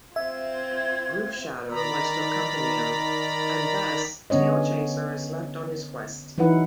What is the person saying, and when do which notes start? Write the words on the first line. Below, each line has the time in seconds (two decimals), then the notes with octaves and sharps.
Roofshadow wants to accompany him, and thus, Tailchaser is left on his quest.
0.16 C4 F4 E5 G#6
1.70 D#3 D5 A#5 B5
4.30 D3 B3 C#4 C#5 D#5
6.38 E3 F#3 D#4 E4 B4 F#5